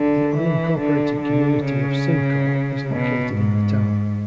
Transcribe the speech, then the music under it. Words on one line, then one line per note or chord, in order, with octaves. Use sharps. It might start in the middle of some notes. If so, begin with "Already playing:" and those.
The unincorporated community of Symco is located in the town.
Already playing: D3
E3
D3
D3
C#3
B2
G#2